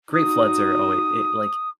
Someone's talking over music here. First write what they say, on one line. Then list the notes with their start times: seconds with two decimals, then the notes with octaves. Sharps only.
Great floods are always e like
0.13 D#4 F#4 D#6